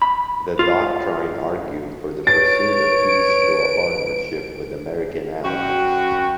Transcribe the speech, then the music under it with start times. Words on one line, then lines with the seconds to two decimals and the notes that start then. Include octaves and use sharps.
The Doctrine argued for the pursuit of peace through a partnership with American allies.
0.02 B5
0.59 F4
2.27 B4 C#5 A6 D7
5.45 F#2 F#4 G5